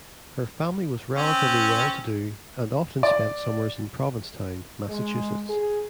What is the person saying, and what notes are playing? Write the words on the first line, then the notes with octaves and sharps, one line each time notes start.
Her family was relatively well-to-do and often spent summers in Provincetown, Massachusetts.
C4 C#4
D5
G#3
G#4